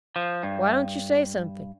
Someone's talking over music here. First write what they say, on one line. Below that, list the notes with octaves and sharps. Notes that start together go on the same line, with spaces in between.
"Why don't you say something?"
F3
G2